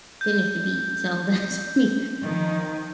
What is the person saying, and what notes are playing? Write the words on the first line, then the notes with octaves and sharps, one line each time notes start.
finish the beat, so, that's on me,
G6
D#3 F3